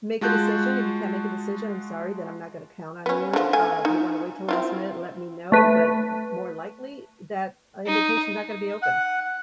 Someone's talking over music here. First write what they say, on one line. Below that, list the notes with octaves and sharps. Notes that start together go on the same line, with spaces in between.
make a decision if you can't make a decision, I'm sorry, then I'm not gonna count on you. Uh, if you wanna wait till last minute, let me know, but m more likely that invitation's not gonna be open.
G#3 F4 F#4 A5 F#6 G6
B3 C#4
D3 F3
A3 G#5
D#4
C4 E4 F4
A3 B4
D#4
F#5